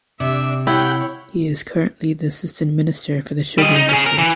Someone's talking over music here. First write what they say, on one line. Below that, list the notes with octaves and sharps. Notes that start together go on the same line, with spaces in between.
He is currently the Assistant Minister for the Sugar Industry.
C3 D4 E5
E4 G4 C#5 F#5 G5
G3 D#5
D#4
C#4 G#4
A#4
E3